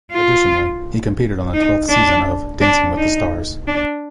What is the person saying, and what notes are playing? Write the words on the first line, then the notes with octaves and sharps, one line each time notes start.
Additionally, he competed on the twelfth season of "Dancing with the Stars".
F4
D#4
D4
D4
D#4
D4